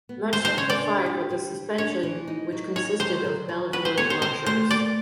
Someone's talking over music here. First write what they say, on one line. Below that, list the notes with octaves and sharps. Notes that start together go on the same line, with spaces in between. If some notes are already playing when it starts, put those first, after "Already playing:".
Much simplified was the suspension which consisted of Belleville washers.
B3
G#3 C5
C5
C#3 C#5
D5
D4
G4
G3
G3
D4 C#5
E3
D#4
F#3
D#4 C#5
F#3 C5
F#3
F#3
F#4 B4
C5
B3 C#5
C5
C4 C5
A3 C5
A#3 D5